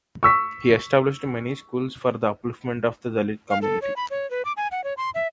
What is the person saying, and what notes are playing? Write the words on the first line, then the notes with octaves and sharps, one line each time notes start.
He established many schools for the upliftment of the Dalit community.
C#6 E6 B6
F5
A4
C#5
B5
C#5
B4
D6
G#5
F#5
C#5
C6
E5